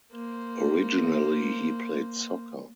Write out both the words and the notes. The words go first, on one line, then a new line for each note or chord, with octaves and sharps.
Originally he played soccer.
A#3 C5